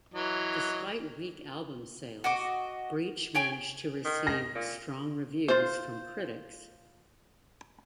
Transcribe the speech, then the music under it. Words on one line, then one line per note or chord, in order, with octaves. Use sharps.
Despite weak album sales, "Breach" managed to receive strong reviews from critics.
E3 F#3 D#5
F#4 D#5 D6
C#5 G5 G#5
D#3
A#6
A#2
F4 C5